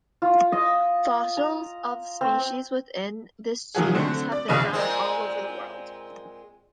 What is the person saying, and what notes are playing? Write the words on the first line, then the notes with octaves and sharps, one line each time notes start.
Fossils of species within this genus have been found all over the world.
F4
D#5
A#5
C4
C3 D#3 F3 F#3 F#4 G#4
D3 A3 C4
D5
A#1 D#2 C#3 D#5 D#7
A#2 G#3 C4